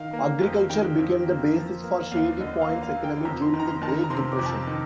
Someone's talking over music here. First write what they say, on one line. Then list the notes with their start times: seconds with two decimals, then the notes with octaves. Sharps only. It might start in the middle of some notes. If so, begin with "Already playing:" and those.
Agriculture became the basis for Shady Point's economy during the Great Depression.
Already playing: D#3 F5
0.13 A#3
0.41 F2
0.70 D#3 G5
0.98 F2
1.26 A#3
1.55 F3
1.83 A#3
2.12 D#2 F5
2.40 D3 D#5
2.61 F5
2.68 A#3
2.83 F5
2.97 A#3
3.04 G5
3.25 F2 A#5
3.42 C6
3.46 A#5
3.54 D#3
3.60 A#5
3.68 C6
3.81 D#3 A5
3.89 A#5
4.04 A#5
4.10 C3 C6
4.32 D6
4.39 F2
4.46 A5
4.52 A#5
4.67 D#3